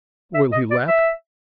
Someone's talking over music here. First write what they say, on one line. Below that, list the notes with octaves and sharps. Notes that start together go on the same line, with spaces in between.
Will he laugh?
E5
D#5
D5
E5